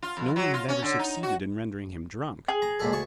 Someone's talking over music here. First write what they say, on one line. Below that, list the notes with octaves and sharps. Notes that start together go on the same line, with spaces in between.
No one had ever succeeded in rendering him drunk.
F4
F2
F#3
F4
C#4
D3
D#4
F#4
G#4
A#5
C#2 A#2 A4
D2 A5 C#6